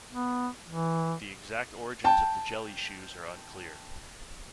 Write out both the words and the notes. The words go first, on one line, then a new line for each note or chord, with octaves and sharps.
The exact origins of the jelly shoes are unclear.
B3
E3
G5 A5